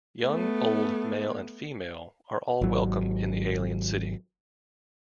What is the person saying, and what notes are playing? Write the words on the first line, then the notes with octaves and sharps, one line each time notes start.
Young, old, male and female are all welcome in the alien city.
A3 B3
G#1 F#3